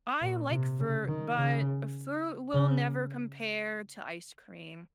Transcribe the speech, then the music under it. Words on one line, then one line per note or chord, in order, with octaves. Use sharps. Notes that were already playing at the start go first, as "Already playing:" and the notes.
I like fruit, but fruit will never compare to ice cream,
A#2
C3
C#3
D#3
C#3
C#3